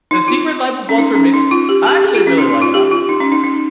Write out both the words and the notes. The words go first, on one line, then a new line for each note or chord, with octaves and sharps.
"The Secret Life of Walter Mitty?" I actually really like that one personally.
D#4
F4
C#4
D#4
C#4
D#4
F4
G4
G4
G#4
F4
C#4
D#4
D#4
F4
G4
F4
D#4
C#4
D#4
D#4